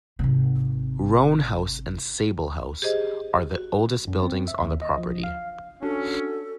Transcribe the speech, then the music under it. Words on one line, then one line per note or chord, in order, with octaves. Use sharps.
Roan House and Sable House are the oldest buildings on the property.
G#1 C3
G4 G#4 C5 D#5
F#4
F#2
C4
E5
D#2
D#5
F3
F5
C#4 D4 F#4 A4